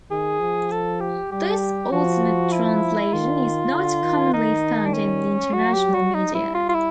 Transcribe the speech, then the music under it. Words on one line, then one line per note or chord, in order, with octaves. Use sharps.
This alternate translation is not commonly found in the international media.
D#3 G#4
F3
A4
G4
G3 G4
F3 F#4
E4
D#3 F4
D3
D#3
D#3 D#4
D4
C#4
F#3 F#4
G4
F#4
G3 D#4
E4
F4
F4
E4